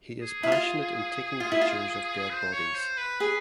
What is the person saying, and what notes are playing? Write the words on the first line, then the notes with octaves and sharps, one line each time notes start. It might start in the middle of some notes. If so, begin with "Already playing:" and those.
He is passionate in taking pictures of dead bodies.
G#4
E4
F4
F4
E4
F4
C5
C#5
C5
B4
G#4 B4